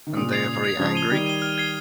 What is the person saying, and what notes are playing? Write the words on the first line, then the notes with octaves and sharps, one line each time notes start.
And they are very angry?
D#3
A#2 C#3 D#6
G#6 C7 F7
D#6
G#6 C7 F7
C#3 F3 G#6
D#7 G7
D#3 G3 G#6
D#7 G7
F6
G#6 C7 G7